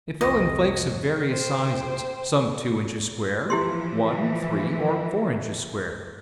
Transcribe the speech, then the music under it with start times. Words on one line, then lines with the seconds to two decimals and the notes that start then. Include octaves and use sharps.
It fell in flakes of various sizes; some two inches square, one, three or four inches square.
0.21 C2 F2 F4 D#5 C#6
1.30 C5 G5
3.50 E3 F3 E4 G4 C6